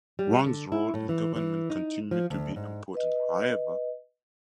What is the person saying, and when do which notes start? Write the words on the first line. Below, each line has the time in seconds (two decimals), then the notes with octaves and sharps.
Wang's role in government continued to be important, however.
0.19 G3
0.46 D3
0.72 E4
0.94 A2
1.09 E3
1.36 E3
1.70 D#4
2.11 F3
2.30 D2
2.56 G#2
2.94 B4 D#5